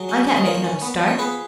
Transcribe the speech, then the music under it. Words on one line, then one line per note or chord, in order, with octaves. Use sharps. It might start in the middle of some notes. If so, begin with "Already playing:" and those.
I can't make another start.
Already playing: F#3 G#4
C#4
C#4
D#5
F3 A#4 C#5
C#4
B3
F3
C#5
B3 G#4 B4